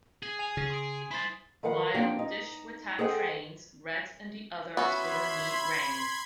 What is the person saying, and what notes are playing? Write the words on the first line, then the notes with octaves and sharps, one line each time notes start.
While Deshwitat trains, Rett and the others go to meet Rang.
G#4 G#6
G#5 F7
C#3
C6 D#6 D7
E4 C5 B5 C6 A6
D#3 F3 A#4 B4 F5 F#5
F3 A#3 C4 D4 G4
D#4
G#4 A4 C5 D#5 F#5 G5
B3 C#4 F#4 E5 B5 C6 G#6